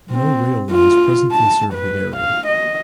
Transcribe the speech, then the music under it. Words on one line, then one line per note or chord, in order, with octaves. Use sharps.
No rail lines presently serve the area.
C4
F4
A5
B4
F5
D#5